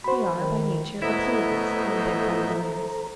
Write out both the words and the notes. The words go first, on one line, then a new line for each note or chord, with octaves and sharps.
We are by nature observers, and thereby learners.
F#4 C5 B5
D#3
A2 B3 E4 A4 C5 D#5 E5 A#5